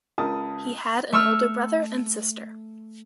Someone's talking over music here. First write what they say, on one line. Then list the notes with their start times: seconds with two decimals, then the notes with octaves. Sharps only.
He had an older brother and sister.
0.18 C#2 C#3 A#4 A5 D#6
1.12 A3 C#6 E6 F6